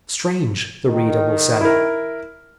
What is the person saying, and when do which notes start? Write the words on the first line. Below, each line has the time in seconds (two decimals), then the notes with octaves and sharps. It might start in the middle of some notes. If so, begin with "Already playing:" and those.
"Strange!" the reader will say.
0.86 D#3
1.61 E4 A#4